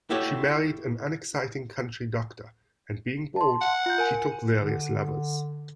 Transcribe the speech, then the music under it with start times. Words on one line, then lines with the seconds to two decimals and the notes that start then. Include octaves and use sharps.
She married an unexciting country doctor, and being bored, she took various lovers.
0.10 E4 F#4 G4 A4 C#5
3.36 A5 C6
3.61 F#5
3.86 F4 G6
3.98 A#4 G#5
4.55 D3